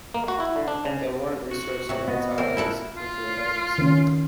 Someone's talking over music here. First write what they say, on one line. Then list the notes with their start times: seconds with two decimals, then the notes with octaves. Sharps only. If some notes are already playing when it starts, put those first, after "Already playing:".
Then one inserts an anti-aliasing filter ahead of the sampler.
0.14 A#3
0.28 F#4
0.40 E4
0.56 D3
0.68 D4
0.85 C#3
1.51 F#4
1.89 C3 F#3
2.08 B3 F#4 D#5
2.38 E3 C4 A#4
2.57 A#2 E4 A4 F#5
2.97 F4
3.78 D#3 C#4